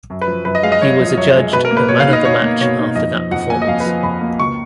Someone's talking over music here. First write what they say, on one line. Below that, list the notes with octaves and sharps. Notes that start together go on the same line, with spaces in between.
He was adjudged the man of the match after that performance.
F#2
B4
F3
F#2 B4
D#5
G#3 F5
D#5
F#2 C#5
F3
F#2 C#5
G#3
B2 B4
A#4
A#3
B4
B2 C#5
F5
D#4
D#5
B2 C#5
A#3
B2 C#5
D#4
F2 D#5
F3
F2 F#5
A#3 G#5
D#5
F2 F5
B4
F3
F2 B5
A#3
C#2 C#6